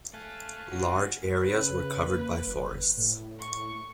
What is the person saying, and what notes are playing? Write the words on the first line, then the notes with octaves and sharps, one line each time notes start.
Large areas were covered by forests.
A3 A4 F5 G#5 F#6
D3 C#4 F#4
C#3 B4
A#3
F#1
A2
C#6